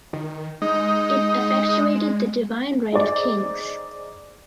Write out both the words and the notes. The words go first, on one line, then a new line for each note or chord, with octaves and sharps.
It effectuated the divine right of kings.
D#3
G#3 D#4
D#4 G#4 C5 D5